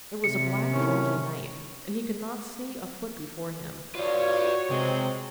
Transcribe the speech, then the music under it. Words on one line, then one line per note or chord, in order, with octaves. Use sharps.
It was a black, foggy night, and he could not see a foot before him.
C3 C#7
A2 D#3 C#4
F4 F#4 B4 C#5 D5
C3 G#3 C4